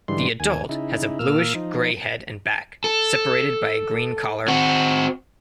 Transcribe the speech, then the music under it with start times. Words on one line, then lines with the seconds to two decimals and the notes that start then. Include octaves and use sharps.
The adult has a bluish-grey head and back, separated by a green collar.
0.08 G#2 D3 E3 G3 C6
0.40 D#2 G#5
0.69 C#3 D#4 E4
1.19 A#2 A#3 E6 F6
1.55 F3 D#4
2.84 A4
4.48 C4 F#4